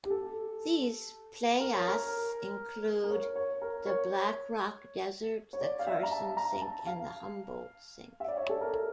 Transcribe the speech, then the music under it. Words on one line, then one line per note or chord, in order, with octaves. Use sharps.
These playas include the Black Rock Desert, the Carson Sink, and the Humboldt Sink.
G4
A4
A#4
C#5
A#4
A#4
C#5
C#5
A#4
C#5
C#5
D5
F5
E5
A#5
A5
A#5
A5
F5
E5
D5
C#5
A4
A#4